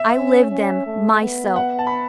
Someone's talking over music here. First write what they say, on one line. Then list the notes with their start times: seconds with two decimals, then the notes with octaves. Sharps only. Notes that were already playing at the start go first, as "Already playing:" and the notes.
I lived them myself.
Already playing: E5
0.17 C#4
0.51 C#4
0.86 A3
1.22 B3
1.56 F#5
1.79 A5
1.87 B5